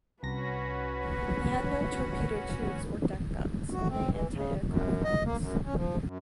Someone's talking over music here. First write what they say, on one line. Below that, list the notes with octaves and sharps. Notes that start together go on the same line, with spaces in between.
They had no torpedo tubes or deck guns, only anti-aircraft guns.
C2 C#4 F#4 B4 A#6
F#4
C4
E3
C#3
F#2
D#5
A#3
F#2
C#4
F3
F#2